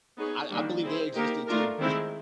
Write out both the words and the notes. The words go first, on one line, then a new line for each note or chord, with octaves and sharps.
I I believe they existed, too.
B3 D#4 G#4 C#5
D#3 G3 A#3 D4 F#4
C4 E4 G#4 C5
A#3 D#4 G4 A#4
A3 D4 F4 A#4
D#3 G#3 C4 E4